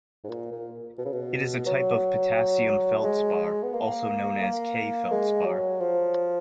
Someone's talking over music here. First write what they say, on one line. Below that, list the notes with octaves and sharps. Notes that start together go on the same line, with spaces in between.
It is a type of potassium feldspar, also known as K-feldspar.
G#2
A#2
A#2
B2
C#3
B2
F#3
G#3
B3
A#3
A#3
G#3
F#3
F3